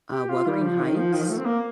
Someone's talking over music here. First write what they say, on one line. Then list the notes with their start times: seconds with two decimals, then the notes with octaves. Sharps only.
uh, Wuthering Heights.
0.12 G4
0.29 F4
0.47 G3
0.62 F3
0.79 D#3
0.96 F3
1.13 D#3
1.21 F3
1.29 A3
1.38 C4
1.46 A#3